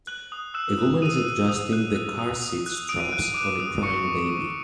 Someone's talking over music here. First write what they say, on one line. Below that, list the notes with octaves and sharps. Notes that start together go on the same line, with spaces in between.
A woman is adjusting the carseat straps on a crying baby.
F#6 F#7
D#6
E6 F#6 E7
F#6
D#6 D#7
F#6
D#6
F#6
F#6
D#6
D#6
F#6
D#6 D7
D#7
F#6 D7
D#7
D6 F#6 D7
D#6
C#6 D6 C#7
D6
D6